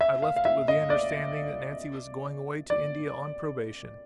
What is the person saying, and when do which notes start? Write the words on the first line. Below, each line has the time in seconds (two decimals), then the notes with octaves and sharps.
I left it with the understanding that Nancy was going away to India on probation.
0.01 E5
0.22 F5
0.36 F5
0.45 E5
0.68 D#5
0.90 D5
2.70 D5